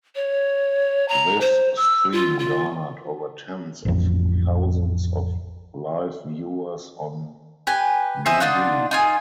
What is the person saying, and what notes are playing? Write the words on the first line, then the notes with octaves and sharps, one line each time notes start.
This stream garnered over tens of thousands of live viewers on bilibili.
C#5
A#5
C5
E6
F4
F4
A1 F2
G4 B4 G#5
C5 D#5 E5 G#5
D4 D#4 F4 F#5
D#4 F4 G#5